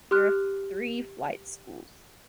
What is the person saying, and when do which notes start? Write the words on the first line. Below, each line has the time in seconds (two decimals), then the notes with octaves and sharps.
There are three flight schools.
0.11 G4 C6 F6 F#6